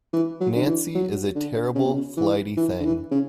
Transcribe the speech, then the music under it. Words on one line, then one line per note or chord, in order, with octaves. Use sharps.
Nancy is a terrible flighty thing.
E3
F#3
D3
E3
F#3
D3
C#3
B2
C#3
E3
E3
D3
E3
C#3